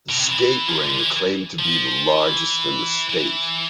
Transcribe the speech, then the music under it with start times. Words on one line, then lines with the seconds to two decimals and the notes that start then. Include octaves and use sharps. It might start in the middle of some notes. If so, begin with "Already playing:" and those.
The skate rink claimed to be the largest in the state.
0.09 B2
0.19 C3
0.29 E3
0.68 F3
0.79 D3
0.89 D3
0.98 E3
1.59 F3
2.19 E3
3.10 E3